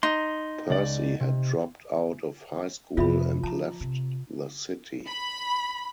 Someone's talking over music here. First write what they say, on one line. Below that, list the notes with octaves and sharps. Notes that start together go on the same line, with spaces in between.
Pursy had dropped out of high school and left the city.
D#4 C6
C#2 D5
C3
F2 C3 F4 E5 B5
F3 A5 A#5
C3
B5